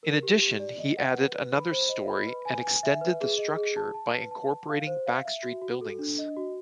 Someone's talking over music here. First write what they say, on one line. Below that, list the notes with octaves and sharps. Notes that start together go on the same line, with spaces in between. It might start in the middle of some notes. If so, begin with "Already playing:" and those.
In addition he added another storey and extended the structure by incorporating backstreet buildings.
A#4
G4
G4
D5
D#5
F#5
B4
B4
B5
C5
D#5
B5
B4
G#5
G#5
E5
B4
G#4
D#5
G#4
A5
A5
B4
A5
A5
F5
C5
F5
E5
F#4
F#4
A4
D4
D#5
F#4